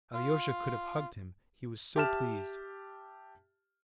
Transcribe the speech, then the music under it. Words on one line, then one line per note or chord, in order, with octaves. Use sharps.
Alyosha could have hugged him, he was so pleased.
F4
G4 E5 A5 F6 E7